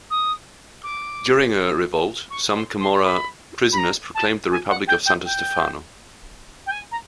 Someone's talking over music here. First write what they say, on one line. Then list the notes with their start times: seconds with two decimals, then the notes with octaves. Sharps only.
During a revolt, some Camorra prisoners proclaimed the Republic of Santo Stefano.
0.10 D#6
0.83 D6
2.30 C#6
2.55 C6
2.80 C6
3.04 B5
3.72 B5
3.78 A#5
4.15 A5
4.52 G#5
4.69 F#5
4.87 G5
5.06 G5
5.25 G5
6.66 G5
6.71 G#5
6.91 A#5